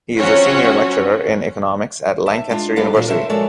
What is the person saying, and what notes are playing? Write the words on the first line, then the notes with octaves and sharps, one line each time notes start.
He is a senior lecturer in economics at Lancaster University.
F#3 C4 C#4 F4 F#4 C#5
D#2 E5 A5
G#3 D4 F4
G3 B3 D4 G4 A4 F5
A#2 D#3 F#3 D4 F4 F#4
A#4 C5 C#5 E5 A5
F3 G#3 F#4 A4 C#5 D5